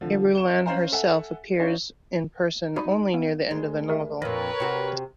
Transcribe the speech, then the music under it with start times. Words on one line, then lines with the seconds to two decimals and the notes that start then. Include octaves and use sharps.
Irulan herself appears in person only near the end of the novel.
0.01 D3 F3
0.35 C#6 E7 G7
0.66 C#4 C5 F5 A#5
0.92 A4 E5 F#5 G#5
1.59 C#4 D#4 C5 C#5 F5
2.76 D#4 F#4 D5 B5
3.14 B3 F5
3.51 D2 G#3
3.88 G4 A#4 E5
4.22 F2 A#2 A#4 B4 C#5 A#6
4.60 C3 F#4